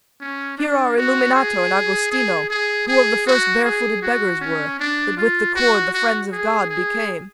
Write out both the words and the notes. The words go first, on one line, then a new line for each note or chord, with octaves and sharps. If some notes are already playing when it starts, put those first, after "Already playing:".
Here are Illuminato and Agostino, Who of the first barefooted beggars were That with the cord the friends of God became.
C#4
D4
F#4
G#4
G#4
G#4
G#4
F#4
G#4
F#4
C#4
D4
F4
F#4
F#4
G#4
G#4